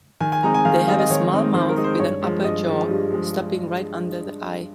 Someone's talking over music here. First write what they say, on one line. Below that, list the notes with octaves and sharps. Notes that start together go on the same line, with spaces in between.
They have a small mouth with an upper jaw stopping right under the eye.
D#3 G#5
G#5
G#3 C4 D#4 A#5
G#5
D#3 F5
G#3 C4 D#4 F5
D#5
D#3 C#5
G#3 C4 D#4
D#3 C5
A#4
G#3 C4 D#4
C5
G2 C#5
F3 G#3
G2 D#5
F3 G#3
G2
F3 G#3